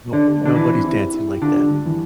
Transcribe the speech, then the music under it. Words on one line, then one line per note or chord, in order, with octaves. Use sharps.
No nobody's dancing like that.
D3 D4
G4
D3 D4
E3 E4
C4
E4
G4
E4
G4
D3 F4
G3
G3
E3